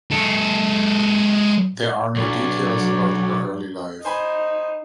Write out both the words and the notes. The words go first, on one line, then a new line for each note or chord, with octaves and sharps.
There are no details about her early life.
G#3 A4
B1 F#3 D4 C#5 D5
D#4 C5 G#5 B5